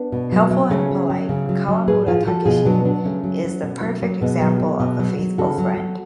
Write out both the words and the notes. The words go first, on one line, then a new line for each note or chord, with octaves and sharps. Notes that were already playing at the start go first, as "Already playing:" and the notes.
Helpful and polite, Kawamura Takashi is the perfect example of a faithful friend.
Already playing: B3 D4
B2
F#3
F#3
C#3 A3 C#4
F#3
F#3
C#3
F#3
F#3
A2 G#4 B4
F3 F4 G#4
F3 F#4 A4
B2 F4 G#4
F#3 B3 D4
F#3 B3 D4
C#3 A3 C#4
F#3
F#3
B2
F#3
F#3
B2 G#3 B3
F#3
F#3
B2
F#3
F#3
C#3 F#4 A4
F#3
F#3